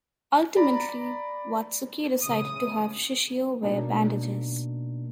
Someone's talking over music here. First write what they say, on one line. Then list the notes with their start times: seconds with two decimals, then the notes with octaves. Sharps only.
Ultimately Watsuki decided to have Shishio wear bandages.
0.56 D5 A#5 B5
2.22 A#2 C#3 E3 D#6
3.63 B2 A#3 D4 D#4